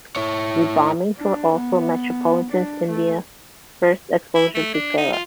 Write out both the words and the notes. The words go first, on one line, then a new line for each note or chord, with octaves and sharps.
The bombings were also metropolitan India's first exposure to terror.
E4 C#5
D4
B3
D4
A3
E4
A3
D4
D#4
F4